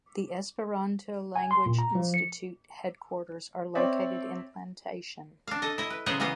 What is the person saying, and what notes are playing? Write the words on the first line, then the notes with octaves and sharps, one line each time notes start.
The Esperanto language institute headquarters are located in Plantation.
G#5
C6
A#2
A#5
F3
C#7
C4 C#5 D5 E5
D4 F5
A4 D#5
E4 D#5
B4
C#3 F#3 B3 G#4 C5 D#5
E3 A#3 B3 D#5 F5